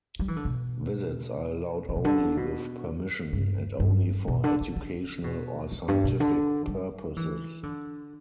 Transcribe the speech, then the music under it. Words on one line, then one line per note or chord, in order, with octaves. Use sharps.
Visits are allowed only with permission, and only for educational or scientific purposes.
G3
E3
D3
B2
D3
B2
D3
B2
G2
G2
B2
D3
D3
D3
B2
E2
G2
B2
D3
G3
E3
D3